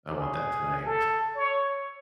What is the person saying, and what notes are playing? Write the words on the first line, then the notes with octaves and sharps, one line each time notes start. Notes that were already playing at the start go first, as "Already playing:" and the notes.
I want that tonight
G#4
A4
C#5